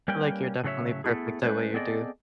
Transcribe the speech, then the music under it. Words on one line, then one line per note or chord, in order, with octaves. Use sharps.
I like you're definitely perfect the way you do.
G3 A#3 C#4 B4 G5
A2 C#3 F#3 A3 C#5 E5
A3 B3 E4 G#4
G#3 A3 C#4 B4 C5
B3 C4 G#4 A4 D5 D#5